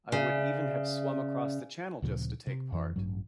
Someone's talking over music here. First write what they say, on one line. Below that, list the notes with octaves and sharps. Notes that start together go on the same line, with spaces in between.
I would even have swum across the channel just to take part.
C#3 D5 E5
D2 A#2 C#3 F3
C3
F2 E3
A1 G2 F#3